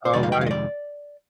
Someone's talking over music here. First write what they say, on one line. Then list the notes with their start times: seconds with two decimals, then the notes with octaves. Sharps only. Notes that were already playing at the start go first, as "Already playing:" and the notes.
Oh, right.
0.05 C5
0.13 F2 C3 D#3 G#3 D5
0.23 F5
0.32 G5
0.41 F5
0.46 D#5
0.51 D5